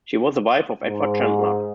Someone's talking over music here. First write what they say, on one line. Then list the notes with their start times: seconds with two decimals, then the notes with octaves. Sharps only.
She was the wife of Edward Chandler.
0.85 G#2